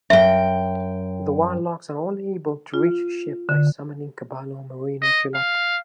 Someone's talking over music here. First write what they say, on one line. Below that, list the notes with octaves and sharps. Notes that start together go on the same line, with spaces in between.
The warlocks are only able to reach the ship by summoning "caballo marino chilote".
F#2 E5 G5
F4
D3
D#5
F5